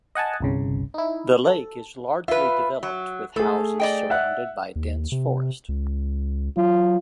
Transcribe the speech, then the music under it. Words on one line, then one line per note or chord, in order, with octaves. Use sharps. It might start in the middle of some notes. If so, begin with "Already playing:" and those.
The lake is largely developed with houses surrounded by dense forest.
D#5 F#5 G#5 A5
G1 C2 C#3
D#4 E4
A4
F4 B4 E5
F#3
A3 G#4 A4
D5 D#5 G5
E5 F#5 F#6
D#2
C3
C#2
F#3 F4